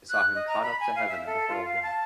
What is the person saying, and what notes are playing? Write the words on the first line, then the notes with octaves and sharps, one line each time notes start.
They saw him caught up to heaven in a whirlwind.
F#6
D#5
A#5
B5
G#5
F5
E5
A4
F4
F5
A5